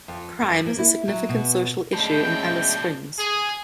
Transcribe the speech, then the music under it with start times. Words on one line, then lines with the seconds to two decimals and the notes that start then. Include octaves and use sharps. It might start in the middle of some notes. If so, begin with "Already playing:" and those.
Crime is a significant social issue in Alice Springs.
0.08 F2
0.41 F#2
0.66 A#3
0.78 E4
1.08 F#3
1.29 B2
1.93 B2 G#3 A3 C#4 D4 G5
3.19 G#4